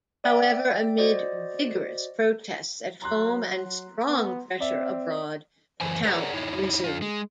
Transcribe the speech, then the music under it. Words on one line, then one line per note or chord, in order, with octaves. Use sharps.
However, amid vigorous protests at home and strong pressure abroad, the count resumed.
D5 E5 G5
F#4 C5 D5 D#5
F#3 A#5 C6 F#6
B3
C4 D5 E5
F#2 E3 C5 G#5
G#4 A#4 C#5 D5 F#5 A#5
D#4 E4 C#5
F2 B2 F4
G#3